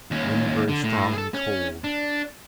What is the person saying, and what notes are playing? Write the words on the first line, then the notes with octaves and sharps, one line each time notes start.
Wind very strong and cold.
D#2 C#4
D3
A2
G#4 A4
C#4
D4